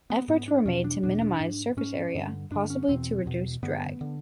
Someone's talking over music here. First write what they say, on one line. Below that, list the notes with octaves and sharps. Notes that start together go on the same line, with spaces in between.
Efforts were made to minimise surface-area, possibly to reduce drag.
B3
G#2 B3
D4
E2 B2 C#4
D4
E2 B2 D4
D4
G#2
G#2 C#4
G2 D3
G2 D3 D4
C#4
E2 B2 C4
E2 B2
G2 D3 B3
D3